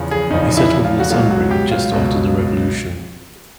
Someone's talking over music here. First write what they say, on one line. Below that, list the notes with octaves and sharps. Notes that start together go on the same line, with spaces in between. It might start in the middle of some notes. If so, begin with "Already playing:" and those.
He settled in the Sunbury just after the Revolution.
Already playing: E2 C#3 F3
G#4
E2 C#3 F3 D#4
E4
F4
F#4
C#2 B2 F#3 F4
F#4
G4
F4
C#2 B2 F#3